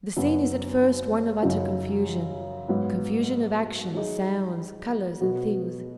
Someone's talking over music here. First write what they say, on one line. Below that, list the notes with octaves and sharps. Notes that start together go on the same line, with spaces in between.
The scene is at first one of utter confusion--confusion of action, sounds, colors, and things.
F#2 C#3 B3 F#4
F#2 C#3 F#3 D#4
G#2 F#3 B3
F#3 D#4 G#4
B2 F#3 B3 F#4